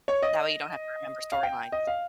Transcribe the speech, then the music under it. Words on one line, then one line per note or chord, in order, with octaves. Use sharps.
that way you don't have to remember storylines.
C#5
D#5
F5
G5
D#5
F5